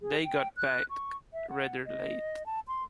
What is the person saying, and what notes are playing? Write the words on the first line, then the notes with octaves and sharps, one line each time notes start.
They got back rather late.
G#4
G5
F#6
C#6
E5
F#5
D#5
A5
C6